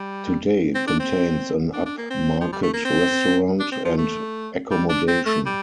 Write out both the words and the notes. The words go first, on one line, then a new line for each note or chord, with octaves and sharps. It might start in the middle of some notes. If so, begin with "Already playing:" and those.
Today it contains an up-market restaurant and accommodation.
Already playing: G3
C4
D4
C4
D4
D4
A#3
C4
F3
G3
A3
A#3
C4
D4
C4
F3
A3
G3
D4
C4
A3
G3